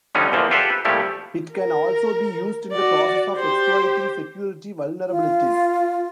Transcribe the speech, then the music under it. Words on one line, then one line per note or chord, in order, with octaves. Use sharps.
It can also be used in the process of exploiting security vulnerabilities.
D3 F3 G3 B3 C#4 D#4
E2 E3 F3 A#3
F4 G4 A4 C5 E5 F#5
B4
A#2 F3 G3 A3 E4 G4
A#4
F#4 D5
G4 C5
F4